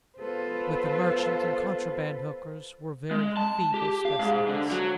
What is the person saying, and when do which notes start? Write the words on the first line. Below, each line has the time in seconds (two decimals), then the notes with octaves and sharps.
But the merchant and contraband hookers were very feeble specimens.
0.19 B3 F4 A4 B4 C5
3.11 G#3
3.37 A5
3.74 G4
4.05 F5
4.19 G#2
4.49 D3
4.71 F#3